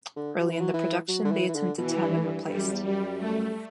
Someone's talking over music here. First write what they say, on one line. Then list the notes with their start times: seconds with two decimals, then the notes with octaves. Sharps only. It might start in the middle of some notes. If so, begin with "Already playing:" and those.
Early in the production, they attempted to have him replaced.
0.16 D3
0.40 F#3
0.50 E3
0.60 F#3
0.74 E3
1.09 F#3
1.25 D3
1.32 E3
1.49 E3
1.56 D3
1.78 B2 E3
2.02 G2
2.18 A2
2.24 G2
2.47 G2 G3
2.59 F#2
2.73 E2
2.82 F#2 G3
3.17 A3